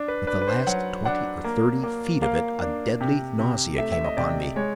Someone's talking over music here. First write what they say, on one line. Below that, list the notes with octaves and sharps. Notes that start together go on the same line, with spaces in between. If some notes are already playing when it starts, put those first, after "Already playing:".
With the last twenty or thirty feet of it a deadly nausea came upon me.
Already playing: D4
B4
D4 B4
B4
C5
F#3 F#5
D4 F#5
A#3
A#3
A#3 F5
D4
C3
C3
A3 E5
E5
D#5
C3 D5
G#3 C#5